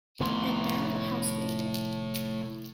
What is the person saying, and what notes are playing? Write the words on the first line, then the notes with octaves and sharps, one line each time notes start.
And now I'm a housemaster.
F1 A2 D#3 B3 C6